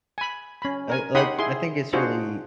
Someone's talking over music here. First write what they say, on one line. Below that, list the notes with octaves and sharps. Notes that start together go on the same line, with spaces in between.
I, like I think it's really
G#5 B5
C#4 B5
A#4 G#5
D#4 G4 F#5 B5 C6 D#6
E4 G#4 C6
D4 D#4 F4 F#4 G#4 C5